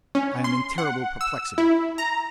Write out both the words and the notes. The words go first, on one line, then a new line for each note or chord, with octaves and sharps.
I am in terrible perplexity.
C#4
C6
F#5
E6
E4
A#5